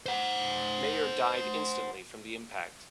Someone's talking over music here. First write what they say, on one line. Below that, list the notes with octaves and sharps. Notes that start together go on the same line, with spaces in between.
Mayer died instantly from the impact.
C5 F#5